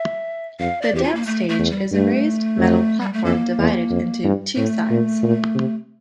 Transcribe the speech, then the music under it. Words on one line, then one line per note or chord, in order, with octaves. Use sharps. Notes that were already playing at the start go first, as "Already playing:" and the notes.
The dance stage is a raised metal platform divided into two sides.
Already playing: E5
F2 F5
D5
E2 G4
F4
A#3
A3
A3
E2
G3
G2 A3
F2
G3
A3
F2 A#3
E2
F2
G2
A2 A3
A#2
A#2
C3